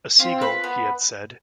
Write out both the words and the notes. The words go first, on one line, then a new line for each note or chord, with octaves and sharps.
A seagull, he had said.
C4 F4
B4
B3